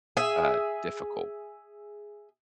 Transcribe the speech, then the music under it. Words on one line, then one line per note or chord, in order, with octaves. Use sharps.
uh, difficult.
G#4 E5